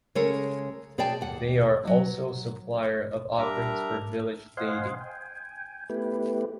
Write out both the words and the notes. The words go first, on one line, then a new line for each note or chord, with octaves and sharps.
They are also supplier of offerings for village deity.
C#3 G#3 A4 A#4 C#5
B2 G#4 C#5 D5 G5 A5
D#2 F#5
F#3
G3 D4 A#4 E5 A#5
C5 D#5 F5 F#5 G#5 C6
G5 G#5
A3 B3 E4 G4 B4